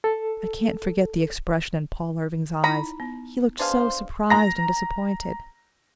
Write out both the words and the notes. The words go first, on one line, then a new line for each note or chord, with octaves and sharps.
I can't forget the expression in Paul Irving's eyes . . . he looked so surprised and disappointed.
A4
D#4 E4 A#5 B5
B3
D4 G#4 B4 C5 F5
A#5 A#6